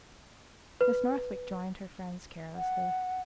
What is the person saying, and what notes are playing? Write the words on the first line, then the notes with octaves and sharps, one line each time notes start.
Miss Northwick joined her friends carelessly.
B4
F#5